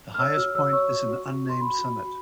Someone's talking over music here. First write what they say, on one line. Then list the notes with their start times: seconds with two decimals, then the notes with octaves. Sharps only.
The highest point is an unnamed summit.
0.14 F6
0.19 C#5 E6
0.37 F#4 F6
0.55 C#5 E6
0.72 C#5 C#6
0.90 F#4
1.08 F#4
1.26 F#4
1.44 F#4
1.49 C6
1.61 F#4 B5
1.79 F#4
1.97 F#4